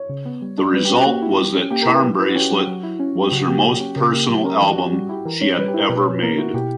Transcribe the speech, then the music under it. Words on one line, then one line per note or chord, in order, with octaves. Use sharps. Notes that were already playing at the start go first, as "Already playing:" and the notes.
The result was that "Charmbracelet" was her "most personal album" she had ever made.
Already playing: C#5
C#3
B3
G3
D4
G3 B4
G4
C#4 F#4
A#3 G4
E4
G3
C#4
A#3 G4
A#4
E4
B4
F#3
E4 B4
F#4
C#4 G4
F#3 F#4
F#3
E4
C#4
F#3
G4
C#3 F#4
A#3 G4
F#3
C#4
C#3 A#4
A#3 G4
F#3 G4
C#4 A#4
E3 G4
F#4
C#4
G4
G3 F#4
E4 G4
E3 A#4
C#4 C#5
G3 B4
G4
E4 A#4
B2 B4
C#5
C#4
B4
A#3 A#4
E4 F#4
B2 G4